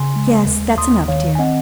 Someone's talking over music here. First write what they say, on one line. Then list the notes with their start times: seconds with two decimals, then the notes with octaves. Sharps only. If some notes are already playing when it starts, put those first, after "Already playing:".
"Yes, that's enough, dear."
Already playing: C#3 G#5 C6
0.16 G#3
0.47 D#2
0.78 D#2 C6 D#6
1.08 D#3 C#5 F5
1.35 G#5
1.39 C4 D#5 F#5